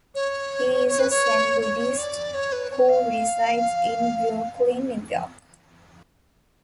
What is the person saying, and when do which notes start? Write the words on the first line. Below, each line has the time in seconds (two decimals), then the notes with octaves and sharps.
He is a Zen Buddhist who resides in Brooklyn, New York.
0.15 C#5
0.88 C#5
0.99 B4
1.10 C#5
1.61 C#5
1.98 D5
2.34 C#5
2.52 B4
2.70 C#5
2.89 F5